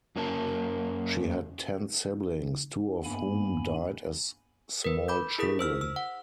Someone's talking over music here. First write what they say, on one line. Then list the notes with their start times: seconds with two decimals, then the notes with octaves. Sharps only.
She had ten siblings, two of whom died as small children.
0.16 F#2 A#3 C#4 A#4 A5
3.04 G2 A#3 B3 G#5 B5
4.84 A#4 B4
5.08 B5 D6 G6
5.38 E4 G#4 A#4 D#6 B6
5.59 C5 E6 F6
5.81 E6
5.96 F#5